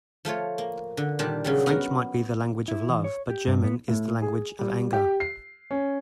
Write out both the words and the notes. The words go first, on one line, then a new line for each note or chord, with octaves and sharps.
French might be the language of love, but German is the language of anger.
F3 A3 F4 C#5
A#3
D3
A#2 D#3 G3 D4 G4
C#3 F#3 G3
B3 F#4 A#4
E4
E3
C#5
G4
G2
B3
A2
G#4
G3
G4
C7
C#4